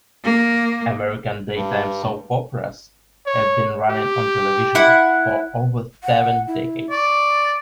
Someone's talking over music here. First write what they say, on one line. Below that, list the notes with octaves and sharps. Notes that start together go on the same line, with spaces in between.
American daytime soap operas have been running on television for over seven decades.
A#3
G2
C#5
G4
E4 F#5
F#5
E4
D5 C#6